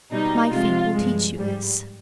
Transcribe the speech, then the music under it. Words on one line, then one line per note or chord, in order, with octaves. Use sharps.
My fate will teach you this..
B2 G3 D#4
C3 F3 G#3 F4
G2 F3 G#3
G#2 G3